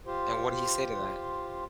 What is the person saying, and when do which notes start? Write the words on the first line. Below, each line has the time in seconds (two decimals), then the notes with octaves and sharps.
And what did he say to that?
0.06 F4 G4 C5